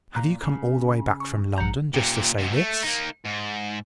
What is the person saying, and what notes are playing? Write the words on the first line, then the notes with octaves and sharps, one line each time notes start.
'Have you come all the way back from London just to say this?'
A#2 A#5 F#6
C#3
C#6
A#1 F#5 A#5 G6
A#2 G4
G#2 C3
A3
A#3 D#4
G#2